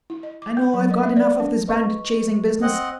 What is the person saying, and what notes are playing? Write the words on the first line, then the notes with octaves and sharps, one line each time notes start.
I know I've got enough of this bandit-chasing business.
E4
D#5
D6
B3
F#3
D#5
E5
D5
D4
B4 D#5 C#6
C4 D#5 F#5